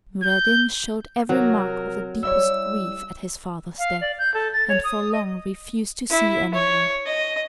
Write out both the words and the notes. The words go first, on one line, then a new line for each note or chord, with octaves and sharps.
Noureddin showed every mark of the deepest grief at his father's death, and for long refused to see any one.
G6
C3 F#3 A#4
G3 E4 C#5 E6
F5
D5
G6
A4
A6
C#5
D#6
D#5
E4
C#5
D#5